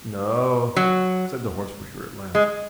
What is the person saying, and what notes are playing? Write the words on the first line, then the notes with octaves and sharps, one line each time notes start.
"No," said the horse-breaker, at last.
F#3
G#3